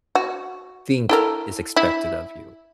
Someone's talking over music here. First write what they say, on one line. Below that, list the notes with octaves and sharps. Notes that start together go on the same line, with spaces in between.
think is expected of you.
F#4
E4 A4 A#4
E4